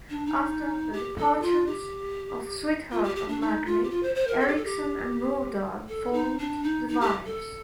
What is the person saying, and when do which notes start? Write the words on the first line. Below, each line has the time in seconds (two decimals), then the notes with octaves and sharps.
After the departures of Sweetheart and Magri, Ericson and Nordahl formed The Vibes.
0.10 D4
0.26 D#4
0.93 G4
1.17 A4
1.42 F4
1.66 G4
2.91 F4
3.03 G4
3.16 G4
3.28 D4
3.41 D#4
3.65 F4
3.83 G4
3.90 F4
4.03 C5
4.15 C5
4.27 A#4
4.40 A4
4.48 G4
4.56 A4
4.65 G4
5.89 A4
6.13 D#4
6.38 D4
6.63 D#4
6.88 D#4
7.00 G4
7.26 A4